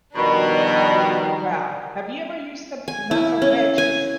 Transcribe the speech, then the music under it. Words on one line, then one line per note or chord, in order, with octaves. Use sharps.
Well, have you ever used the m menthol patches?
B2 D#3 F3 G3 D4 A#4
G#5
E4
C#4
G#5